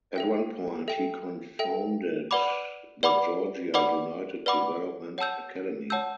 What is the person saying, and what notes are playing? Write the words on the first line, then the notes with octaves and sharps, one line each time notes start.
At one point he cofounded the Georgia United development academy.
A4 E5 G5
A4 E5 G5
A4 E5 G5
B4 D5 F#5 B5 D6
B4 D5 F#5 B5 D6
B4 D5 F#5 B5 D6
B4 D5 F#5 B5 D6
C#5 F#5 A5 E6 G6
C#5 F#5 A5 E6 G6